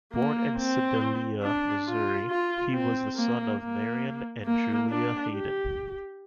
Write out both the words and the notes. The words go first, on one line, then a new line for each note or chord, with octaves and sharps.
Born in Sedalia, Missouri, he was the son of Marion and Julia Hayden.
A#3
C4
D4
F4
F4
C4
A#3
A#3
A#3
D4
G4